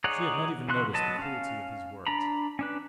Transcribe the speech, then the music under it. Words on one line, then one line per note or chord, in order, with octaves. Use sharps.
She had not even noticed the cruelty of his words.
D#4 G#4 C#5 D5 F#5
C#3 E3 F#4 C6 F#6
F#3 B3 D#5 A5
C#4 F5
D4 A#5 B5
C#4 D4 B4